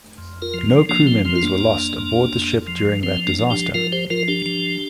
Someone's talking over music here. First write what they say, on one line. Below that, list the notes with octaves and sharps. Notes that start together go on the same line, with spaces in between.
No crew members were lost aboard the ship during that disaster.
F2
F4 A#4
F3
F3 A#3 D4
C4
F2 C4
F4
A#3 D4
F2
F2
F2
F3
F3 C4
A#3 D4
F3
D4 G4
F3 F4 A#4
G4 C5
F3 F4 A#4
D4 G4
F3